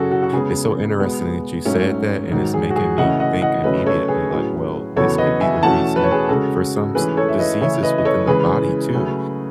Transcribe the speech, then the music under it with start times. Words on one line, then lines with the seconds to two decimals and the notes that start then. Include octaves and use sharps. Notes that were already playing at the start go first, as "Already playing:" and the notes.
it's so interesting that you said that, and it's making me think immediately, like, well, this could be the reason for some s diseases within the body too,
Already playing: F#2 C#3 F#3 C#4 F#4 G#4 A4
0.11 F#4
0.23 F#4
0.33 C#3 G#3 B3 G#4
0.99 B2 G#3 B3
1.65 G#2 F#3 A3 C#4
2.31 G#2 D#3 F#3
2.54 G#4
2.70 F#4
2.76 G#4
2.98 C#3 E3 A3 C#4 D#5 F#5
3.20 D#5 F#5
3.42 D#5 F#5
3.64 C#3 F#3 A3 C#4 B4 D#5
3.86 A4 C#5
4.08 G#4 B4
4.30 A2 F#3 C#4
4.96 E2 C#3 F#3 B3 A4 C#5
5.18 B4 D#5
5.41 E5 G#5
5.63 E2 B2 A3 C#4 F#5 A5
5.96 B4
6.03 C#5
6.11 G#4 B4
6.29 C#3 G#3 C#4 F#4 A4
6.95 G#2 E3 A3 C#4 G#4 B4
7.17 A4 C#5
7.29 E5
7.39 B4 D#5
7.61 C#3 E3 A3 C#4 C#5 E5
7.83 B4 D#5
7.98 D#5
8.05 A4 C#5
8.27 C#3 E3 G#3 C#4 G#4 B4
8.93 C#3 F#3 A3 C#4